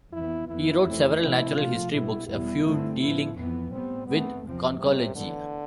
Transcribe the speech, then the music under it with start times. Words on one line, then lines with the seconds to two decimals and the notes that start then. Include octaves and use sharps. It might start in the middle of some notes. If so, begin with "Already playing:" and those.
He wrote several natural history books, a few dealing with conchology.
0.12 F2 E3 B3 E4
0.48 F2 E3 B3 E4
0.85 F2 E3 A3 C4
1.20 C3 F3 A3 C4 E4
1.56 C3 F3 A3 F4
1.92 B2 G3 B3 E4
2.28 E2 B2 G3 B3 E4
2.64 G2 D3 A3 C4
3.00 A2 F3 B3 E4
3.36 F2 E3 B3
3.71 A2 G3 B3 C4
4.08 G2 E3 A3 B3 C4
4.43 E2 C3 F3 C4
4.79 A2 C3 G3 B3
5.15 A2 D3 E3 B3